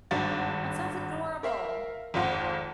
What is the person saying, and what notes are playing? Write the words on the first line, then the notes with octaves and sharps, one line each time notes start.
That sounds adorable.
G#1 G2 D4 F#4 A6
A#4 E5 F5
G#1 F2 F4 F#5